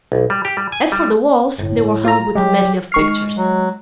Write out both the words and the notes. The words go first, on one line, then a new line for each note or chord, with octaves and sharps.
As for the walls, they were hung with a medley of pictures.
B1
G3
G4
G3
G#5
G3
G1 A2
F4 A#5
F#3 G#3 G4
D#3 G#3 C#6 F6 C7
F#3